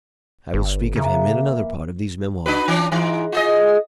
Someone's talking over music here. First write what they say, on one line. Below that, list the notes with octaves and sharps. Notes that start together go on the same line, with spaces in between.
I will speak of him in another part of these Memoirs.
G1
C#3 E3 A#3
D4 F#4 B4
E3 C#4 D4
G#2 E3 E4
F4 G#4 D#5